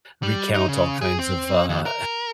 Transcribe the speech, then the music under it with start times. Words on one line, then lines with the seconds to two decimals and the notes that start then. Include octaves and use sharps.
recount all kinds of, uh,
0.23 G3
0.54 D#4
0.69 C#3
1.01 G#4
1.19 C4
1.69 D#2
1.86 A#4